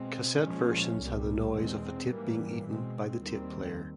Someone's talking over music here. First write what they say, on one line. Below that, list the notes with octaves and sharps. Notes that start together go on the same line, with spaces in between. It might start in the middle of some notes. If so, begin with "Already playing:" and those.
Cassette versions had the noise of a tape being "eaten" by the tape player.
Already playing: B2 G#3 C4
A#2 F3 G#3 C#4
C2 A#2 G3
E2 B2 G#3 C4
G#2 E3 G3 A#3
B2 G#3 C4
D#2 D#3 G3 C4